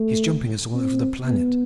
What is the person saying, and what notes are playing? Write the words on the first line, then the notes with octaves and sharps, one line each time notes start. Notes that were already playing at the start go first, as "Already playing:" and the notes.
He's jumping us all over the planet.
Already playing: A3
C4
B3